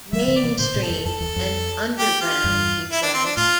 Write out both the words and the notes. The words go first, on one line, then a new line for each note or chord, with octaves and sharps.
Mainstream and Underground, he says.
E3 G3 E5
D3 F3
D5
C3 E3
A#2 D3 C5
A2 C3
A4
F2
F2 A4
E2
F2
G4
F4
E2 G2
E4
D4
C4
D4
A2 F4